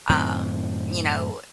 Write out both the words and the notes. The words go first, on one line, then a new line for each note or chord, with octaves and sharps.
um, you know,
F#2 A2 D#3 C4